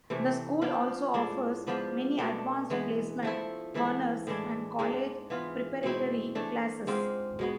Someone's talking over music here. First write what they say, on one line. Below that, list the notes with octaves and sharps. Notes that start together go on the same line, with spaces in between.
The school also offers many Advanced Placement, Honors, and college preparatory classes.
C3 E3 A3
F3 B3 D4 F4
A2 G#3 D4
G#2 F3 B3 D4
B2 A3 D4
E3 G#3 B3
F3 A3 E4
G#2 E3 A3 E4
A2 E3 G#3 D4
G#2 G#3 D4
E3 B3 F4
B2 G#3 C4 E4
E3 A3 D4
G#2 G#3 C4 F4
B2 G#3 B3